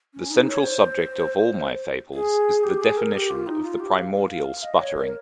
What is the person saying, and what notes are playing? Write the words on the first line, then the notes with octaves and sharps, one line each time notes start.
The central subject of all my fables is the definition of the primordial sputtering.
C#4
D#4
C#5
C5
G#4
G4
G#4
A#4
G4
F4
D#4
F4
G4
F5
F5
D#5
C#5
A#4